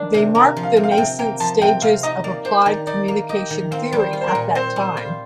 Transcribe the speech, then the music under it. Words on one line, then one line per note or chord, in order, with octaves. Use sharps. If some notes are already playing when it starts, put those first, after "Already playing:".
They marked the nascent stages of applied communication theory at that time.
Already playing: D#3 D4
C3
A#3 A#4
F3
F5
C3
F5
G5
C3
A#3 G5
F3 A5
C3 G5
C3 F5
D#4 D#5
A#3 D5
G4 C5
D#3 D5
D#4 D5
A#3
G4 D#5
D#3
C4 F5
G3
C5
F4
C5
A#4
A#2
C4 C5
G3
F4